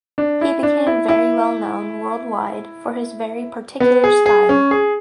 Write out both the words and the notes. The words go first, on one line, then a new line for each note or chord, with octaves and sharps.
He became very well known worldwide for his very particular style.
D4
E4
D4
E4
E4
B3
G#4
G#4
C#4
G#4